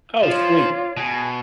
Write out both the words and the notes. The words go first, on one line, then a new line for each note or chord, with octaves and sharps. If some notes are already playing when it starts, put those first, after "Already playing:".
Oh, sweet.
F3 F4 C#5 D5
B2 G#4 G#5